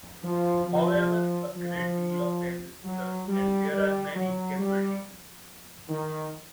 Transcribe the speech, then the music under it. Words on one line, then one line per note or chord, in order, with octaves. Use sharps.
However, a great deal of damage is done and there are many casualties.
F3
F3
F3
F#3
G3
G3
F#3
G3
D#3